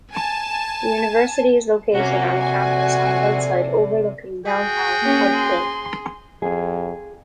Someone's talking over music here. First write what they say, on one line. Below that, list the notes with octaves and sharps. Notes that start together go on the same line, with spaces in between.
The university is located on a campus on a hillside overlooking downtown Pikeville.
G#5 A5
C3 A#3 C#4 F#4
A#1 A4 D5 G#5
F#4 G#4 G5
A#3 C#4
C6
F2 G#4